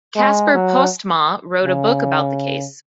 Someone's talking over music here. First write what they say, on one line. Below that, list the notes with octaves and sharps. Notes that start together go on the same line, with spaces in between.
Casper Postmaa wrote a book about the case.
G#3
F#3
C#3